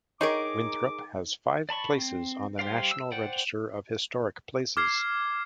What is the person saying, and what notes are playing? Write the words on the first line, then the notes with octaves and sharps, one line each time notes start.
Winthrop has five places on the National Register of Historic Places.
D#3 D#4 G#4 A#4 C#5 D#5 D6
D5 A5 B5 C#6
C4
G3 G4 C5 D5 F5
E6
C5 D5 F#5 G5
D6 F6 G#6 C7